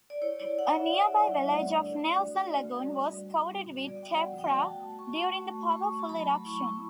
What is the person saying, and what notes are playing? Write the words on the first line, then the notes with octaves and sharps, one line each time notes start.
The nearby village of Nelson Lagoon was coated with tephra during the powerful eruption.
D5
E4 C#5
E4 D5
E4 F#5
E4 E5
E4 D5
E4
E4
A3
D4
D4
F#4
D4
F#4
F#4
G3
G3
F#4
B3
B3
F#4
F#4 D5
F#4 G5
F#5
B3
G5
F#4
A3 A5
A3
F#4 C#6
F#4
A3
A3
A3 C#6
A3
A5
F#3 B5
A3
E4 C#6
E4